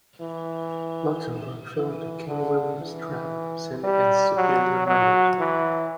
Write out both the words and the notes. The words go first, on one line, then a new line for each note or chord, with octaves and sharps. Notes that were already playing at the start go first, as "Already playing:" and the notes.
Luxemburg fell into King William's trap set against superior numbers.
E3
E3
D3
E3
G3
F#3
F#3
E3